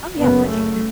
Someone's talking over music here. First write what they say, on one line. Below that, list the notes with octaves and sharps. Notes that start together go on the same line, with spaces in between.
Oh, yeah, for sure.
F#1 F#2 C#3 B3
A3